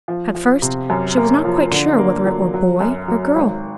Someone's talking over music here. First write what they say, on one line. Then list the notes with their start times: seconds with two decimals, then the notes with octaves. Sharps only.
At first she was not quite sure whether it were boy or girl.
0.08 F3
0.35 F3
0.62 C3
0.90 F#2
1.17 A#3
1.45 F3
1.71 D3
1.98 A#3
2.26 F#3
2.54 F#3
2.80 F#2
3.08 F#3
3.36 G#1